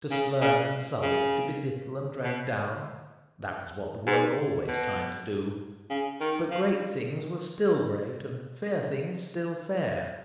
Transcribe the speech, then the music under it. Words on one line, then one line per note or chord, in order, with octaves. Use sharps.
To slur and sully, to belittle and drag down--that was what the world always tried to do. But great things were still great, and fair things still fair.
C#3
C#3
C#3
B2
G#2
B2
C#3
D#3
F3